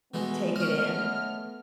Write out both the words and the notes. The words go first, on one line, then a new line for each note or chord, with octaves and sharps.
take it in
B2 E3 G#3 A3 B3
C#4 D#5 F6